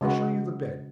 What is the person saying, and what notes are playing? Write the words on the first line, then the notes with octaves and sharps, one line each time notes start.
I show you the bed.
C#3 G#3 F#4 B4